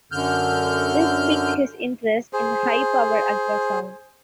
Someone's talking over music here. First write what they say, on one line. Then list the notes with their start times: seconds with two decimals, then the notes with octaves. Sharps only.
This piqued his interest in high powered ultrasound.
0.12 F#2 D3 F6 G6
2.33 G#4 C5